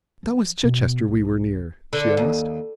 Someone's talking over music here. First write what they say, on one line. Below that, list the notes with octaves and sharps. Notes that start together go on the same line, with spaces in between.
"That was Chichester we were near?" she asked.
F3
B2 B3
B1
D3
D#2